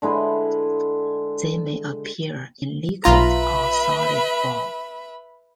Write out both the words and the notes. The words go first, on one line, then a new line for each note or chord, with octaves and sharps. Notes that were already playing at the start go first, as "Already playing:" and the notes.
They may appear in liquid or solid form.
D3 G#3 E4 B4
B1 F4 B4 E5 A#5 B5